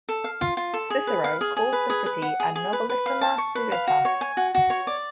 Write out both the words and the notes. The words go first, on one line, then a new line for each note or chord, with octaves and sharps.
Cicero calls the city a "nobilissima civitas".
A4
F5
F4
F4
A4
G#4
B4
F5
G#4
G#4
B4
G#4
B4
F#5
G#4
G#4
B4
B4
F5
A5
C#6
B4
F5
F#4
C#5
G#5
F#4
F#4
C#5
D5